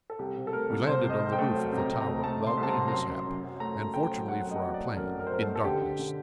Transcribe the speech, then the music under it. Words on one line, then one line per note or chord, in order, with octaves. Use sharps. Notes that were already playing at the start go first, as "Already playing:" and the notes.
We landed on the roof of the tower without any mishap, and fortunately for our plan, in darkness.
A4
C2 G4
C3
A4
A3 A#4
C2
C3 C5
C3
D#5
C2
G5
A3
F#3
C3
A#5
C3
A#5
A3
A3 A5
C3
C6
C2
A5
A#5
C3
A#5
F#2 C6
F#2
F#2
F#3
A3 A#5
A3
A3 G5
F#3
A3 F#5
F#2
D#5
F#3
D5
A3
F#2 A#4
F#3
A#4
C5
F#2 A#4
A4
A3
A4
D3 G4
D3
D3